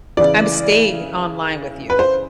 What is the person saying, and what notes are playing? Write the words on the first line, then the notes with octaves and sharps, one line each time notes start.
I'm staying online with you.
C#3 E3 D5
B4
C5